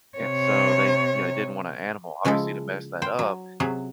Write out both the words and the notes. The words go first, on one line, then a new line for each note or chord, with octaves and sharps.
And so, they you know, they didn't want an animal, obviously, to mess that up,
C3 C#5
C#3 F3 G#3 E4 A4
C5 G5
F#3
C3 F#3 G#4